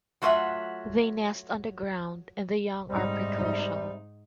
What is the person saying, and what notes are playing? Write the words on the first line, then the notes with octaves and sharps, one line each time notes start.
They nest on the ground and the young are precocial.
F#3 A3 F4 D5 E5 F#5
G#2 C3 G3 D#4